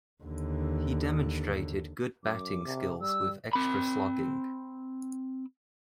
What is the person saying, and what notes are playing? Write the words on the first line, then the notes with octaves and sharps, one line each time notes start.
He demonstrated good batting skills with extra slogging.
D#2 D3
F#2 D6
C3
G3 E6
C4 B5